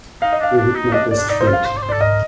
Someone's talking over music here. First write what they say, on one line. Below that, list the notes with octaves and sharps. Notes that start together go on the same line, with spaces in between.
You hit my best friend.
D#4 F5
D#5
D4 F5
D4
D#4
D4 D#5
D5
D4
D#4 D5
C5
F4
F5
C5
D5
C5
A4 D5
A#4 D#5